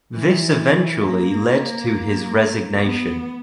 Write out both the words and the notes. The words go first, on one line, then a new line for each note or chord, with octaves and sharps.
This eventually led to his resignation.
E3
A#3
B3